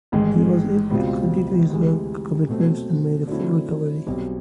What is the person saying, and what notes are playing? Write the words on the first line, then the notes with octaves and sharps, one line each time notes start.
He was able to continue his work commitments and made a full recovery.
A1 G#2 D#3 G#3
C#2 B2 G3 C4 F4
D2 C3 E3 G#3
B2 F#3 A3 C4
D3 F#3 A3 C4 E4
B1 B2 G3 C4